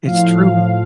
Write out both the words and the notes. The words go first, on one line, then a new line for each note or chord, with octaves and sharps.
It's true.
A2 F3 F5